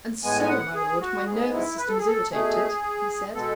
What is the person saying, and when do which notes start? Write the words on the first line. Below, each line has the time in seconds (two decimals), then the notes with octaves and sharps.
"And so, my Lord, my nervous system is irritated?" he said.
0.23 A2 G#3 B3 G#5
0.41 G#5
0.49 F#5
0.75 G#4
1.01 F#4
1.27 G#2 G#3 B3 G#4
1.53 E4
1.79 B4
1.88 A4
1.98 G#4
2.07 A4
2.31 B2 A3 G#4
3.35 B2 G#3 B3 A4